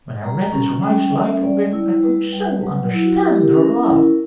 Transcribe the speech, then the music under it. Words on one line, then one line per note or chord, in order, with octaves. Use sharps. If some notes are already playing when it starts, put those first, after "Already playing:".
When I read his wife's life of him I could so understand her love!
G3 A#5
A#5
C#4
G3 G5
C#4 E5
G3 D5
E4
G3 B4
G3
F#3
E4
F#4
G4
E4 A#4
G4
A#4
C#4
A#4
E4